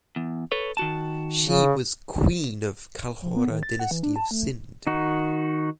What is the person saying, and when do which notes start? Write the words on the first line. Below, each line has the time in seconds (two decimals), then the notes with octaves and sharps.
She was queen of Kalhora dynasty of Sindh.
0.16 E2
0.52 A4 B4 C#5
0.77 D#3 F#4 A5
1.44 C#3
3.22 F3
3.36 B3
3.50 D#3
3.63 A6
3.79 F#5
3.91 E3
4.03 D4
4.16 A5
4.31 A3
4.87 D#3 D#4 F#4